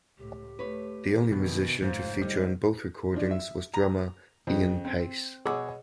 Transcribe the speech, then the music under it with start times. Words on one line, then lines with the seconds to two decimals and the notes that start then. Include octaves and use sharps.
The only musician to feature on both recordings was drummer Ian Paice.
0.18 C#2 A2 G4
0.59 A3 B4 C#5
1.32 B2 D#3 E3
1.82 F1 G#2 F4 C5
2.21 D3 G3 D#4
3.14 F3 D4
3.31 E5
3.74 A#5
4.47 F2 C#3
4.85 C4
5.45 B2 G#4 C#5 F#5 D6 E6